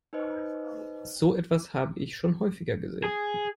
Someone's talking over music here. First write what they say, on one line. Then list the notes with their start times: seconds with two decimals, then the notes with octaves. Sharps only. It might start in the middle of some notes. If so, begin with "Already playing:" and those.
So etwas habe ich schon häufiger gesehen.
0.13 D#4 B4 C5 D#5
3.04 G#4